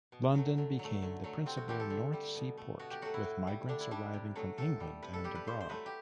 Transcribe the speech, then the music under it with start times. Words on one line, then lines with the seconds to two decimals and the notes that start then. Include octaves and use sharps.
London became the principal North Sea port, with migrants arriving from England and abroad.
0.12 B2
0.35 F#3 A3
0.58 D3
0.79 F#3 A3
1.02 D3
1.24 F#3 A3
1.46 C3 C4
1.57 F#4
1.68 E3 A3 G4
1.80 A4
1.90 D3
2.13 G3
2.35 B2
2.57 A3
2.79 B2 F#4
2.90 G4
3.02 F#3 A3 F#4
3.14 E4
3.24 A2
3.47 G3
3.69 D3 D4
3.80 E4
3.91 G3 D4
4.13 C3
4.35 F#3 A3
4.58 A2 A4
4.80 G3
5.02 C3 B4
5.13 A4
5.24 G3 G4
5.35 B4
5.47 B2 C5
5.61 C5
5.69 F#3 A3 B4
5.86 G4